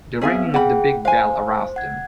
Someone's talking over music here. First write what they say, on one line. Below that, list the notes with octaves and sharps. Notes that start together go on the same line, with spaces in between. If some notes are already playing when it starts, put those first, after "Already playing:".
The ringing of the big bell aroused him.
B3 C4 G#4 E5 F5 G#5
G#4 F#5 G5 B5
C5 F5 G#5
F#5 G#6